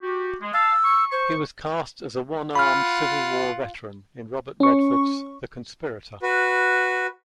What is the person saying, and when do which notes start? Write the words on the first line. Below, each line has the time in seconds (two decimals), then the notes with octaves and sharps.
He was cast as a one-armed Civil War veteran in Robert Redford's "The Conspirator".
0.02 F#4 G4
0.41 G#3
0.54 F5 A5 E6
0.84 C#6
1.12 C5 C#6
2.55 F4 F#5 B5 F6
4.60 C#4 C#6
6.22 F#4 B4